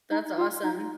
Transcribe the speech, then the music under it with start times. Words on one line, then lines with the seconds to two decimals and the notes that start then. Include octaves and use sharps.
that's awesome.
0.11 D#4
0.38 F4
0.63 D#4